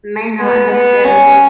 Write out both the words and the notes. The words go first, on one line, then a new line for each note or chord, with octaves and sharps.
may not have been
B3
B3
C#4